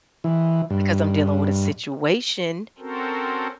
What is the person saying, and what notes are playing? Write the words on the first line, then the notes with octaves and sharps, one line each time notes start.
because I'm dealin' with a situation.
E3
G2
C4 C#4 F#4 A4 A#4 C5